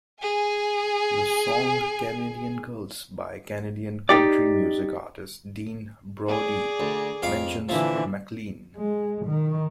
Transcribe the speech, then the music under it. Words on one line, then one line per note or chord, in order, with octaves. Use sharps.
The song "Canadian Girls" by Canadian country music artist Dean Brody mentions MacLean.
G#4 G#5
D#4 G4 D5
G#4 D5
D2
F2 F5 D6
A#2 D3 E3 F3 E4
G#3
D#3